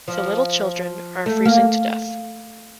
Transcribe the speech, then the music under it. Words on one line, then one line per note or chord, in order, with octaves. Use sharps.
The little children are freezing to death.
F3
A3
A#3